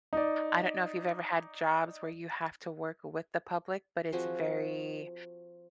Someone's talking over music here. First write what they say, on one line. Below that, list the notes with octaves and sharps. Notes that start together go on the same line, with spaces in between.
I don't know if you've ever had jobs where you have to work with the public, but it's very
D#4 D5
F3 C4 F#4 G#4